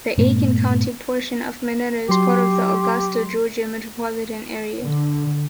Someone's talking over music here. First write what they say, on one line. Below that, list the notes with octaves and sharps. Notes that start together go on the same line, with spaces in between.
The Aiken County portion of Monetta is part of the Augusta, Georgia metropolitan area.
G2 A#2 A3 B3
F#3 G4 C6
D3